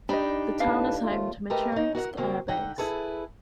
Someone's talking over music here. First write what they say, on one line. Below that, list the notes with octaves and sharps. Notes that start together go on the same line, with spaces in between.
The town is home to Michurinsk air base.
D4 D#4 G4 D#5 B5
A2 B4 D5 F5 A5
D#2 A3 F4
G#3 A3 G4 A#4 B4 D#5
C#4 D#4
F#4 A#4 D#5 F#5
C#3 F#3 A#3 C4
D3 D#4 F#5 G5
E4 G#4 A4 B4